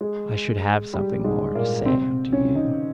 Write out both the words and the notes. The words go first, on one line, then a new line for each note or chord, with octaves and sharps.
I should have something more to say unto you!
G#3 G#4
G3 G4
G3
G#2 G#3
A#2 A#3
C3 C4
C#3 C#4
D#3 D#4